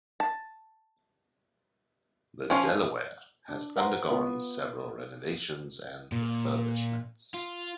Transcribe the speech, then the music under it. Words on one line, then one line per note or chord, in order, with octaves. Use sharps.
The "Delaware" has undergone several renovations and refurbishments.
A5
F3 C#4 F4
D4
B4 C5 F#5 A#5 C6
B3 F4 B4
A#2
F4